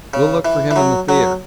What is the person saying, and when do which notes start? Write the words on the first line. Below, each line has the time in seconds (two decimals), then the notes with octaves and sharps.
We'll look for him in the theater.
0.14 C#3
0.45 E3
0.71 E3
0.76 F#3
1.09 F#3